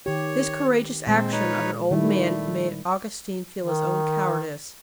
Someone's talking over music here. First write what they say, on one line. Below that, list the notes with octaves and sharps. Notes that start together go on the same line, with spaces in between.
This courageous action of an old man made Augustine feel his own cowardice.
D#3 G4 C#5
A#2 G#3 C4
D#4 B4 C#5
D#3 G3 A3 E4
D#3